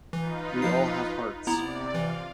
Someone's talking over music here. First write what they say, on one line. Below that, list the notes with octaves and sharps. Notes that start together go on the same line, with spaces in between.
We all have hearts.
E3 D#4 F4 B4
F3 C7
C3 B3 E4 D5 A#5
E3 F4 F5